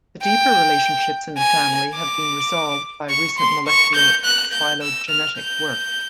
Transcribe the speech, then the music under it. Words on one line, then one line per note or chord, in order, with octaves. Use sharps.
The deeper relationships in the family have been resolved by recent molecular phylogenetic work.
G5
G#5
D6
C#6
C6
C#6
G6
F#6
G6
E6
F6
G6